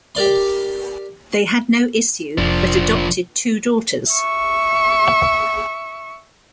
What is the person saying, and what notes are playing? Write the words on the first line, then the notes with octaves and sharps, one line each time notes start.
They had no issue but adopted two daughters.
G4 A#4 D5 C6
F1 F3 D4
E5 C#6